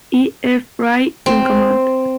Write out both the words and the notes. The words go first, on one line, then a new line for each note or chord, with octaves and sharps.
E. F. Rye in command.
C4